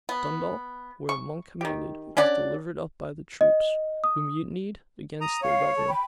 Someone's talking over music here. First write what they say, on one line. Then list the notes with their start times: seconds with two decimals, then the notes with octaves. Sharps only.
Dundalk, where Monk commanded, was delivered up by the troops, who mutinied against their governor.
0.09 B3
1.09 C#6
1.61 D#3 G4
2.17 C#4 D4 D5 F#5
3.41 D#5
4.04 D#6
5.21 A#5 D#6
5.42 C#5 F5
5.76 A4
5.89 G5 B5